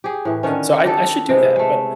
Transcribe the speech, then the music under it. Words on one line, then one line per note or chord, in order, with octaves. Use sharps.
So I I should do that, but
G4 G#4
A2 E3
D3 D#3 C#4
G4 A4 D#5 F#5
C3 G#3 B3 E4
G#3 A3